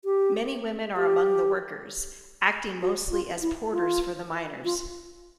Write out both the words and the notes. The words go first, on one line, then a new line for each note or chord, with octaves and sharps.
Many women are among the workers, acting mostly as porters for the miners.
G4
G4
F#4
F4
E4
F4
F4